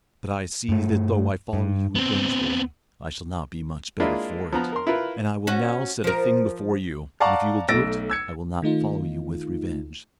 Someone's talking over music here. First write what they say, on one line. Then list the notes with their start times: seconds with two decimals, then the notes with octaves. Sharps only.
But I see that though I follow you revengefully, I shall not be much better for it, and I will now set a thing before you, and if you will do it, I will not follow you with revenge.
0.69 G2 A3
1.53 G2
1.95 B3 C4
4.00 G#3 A#3 D4 E4 F4
4.53 F3 B3 A#5
4.72 A#4 C6
4.87 E4 F4 A#4 B4
5.47 C#4 F#4
6.04 F3 A#4
7.20 D5 F5 F#5 A5 A#5 C#6
7.69 B1 A3 E6 A6 A#6 D7
8.10 E6 G#6 C#7
8.62 D#3 A3 D#4 F4